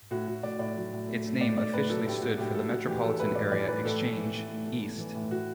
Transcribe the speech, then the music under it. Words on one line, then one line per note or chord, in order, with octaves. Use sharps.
Its name officially stood for "Metropolitan Area Exchange, East".
A2 F#4
A2 F#4
A2 D5
A2 D5
F#3
A2
A3
A3
A2 D5
A3 D5
A2 B4
F#3 A4
A2 G4
A2 F#4
A2 G4
A3 A4
A2 F#4
E3 G4
E3 A4
A2 B4
A2 D5
E3 D5
A3 B4
A2 A4
E3
E3
A2
A3
A3
A3
E3
A2
A2 F#4